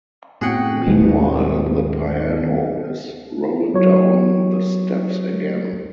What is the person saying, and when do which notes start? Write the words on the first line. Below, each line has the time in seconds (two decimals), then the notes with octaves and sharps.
Meanwhile, the piano has rolled down the steps again.
0.41 A2 B3 C4 F#4 G#4 F#5 G5
0.87 D#2 G#2 B2
3.74 F#3 C#5